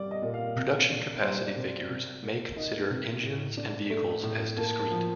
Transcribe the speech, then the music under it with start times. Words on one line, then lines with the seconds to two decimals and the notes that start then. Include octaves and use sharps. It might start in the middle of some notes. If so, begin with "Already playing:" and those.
Production capacity figures may consider engines and vehicles as discrete.
Already playing: G3 D5
0.11 D#5
0.22 A#2
0.34 F5
0.56 C3
0.90 D4
1.22 G3 C5
1.46 D5
1.56 C3 C5
1.67 D5
1.89 C3
2.23 A#3
2.56 D#3 D#5
2.90 C3
3.23 A2
3.57 D4
3.90 A3
4.23 A2
4.57 A#3 A5
4.79 A5
4.91 F3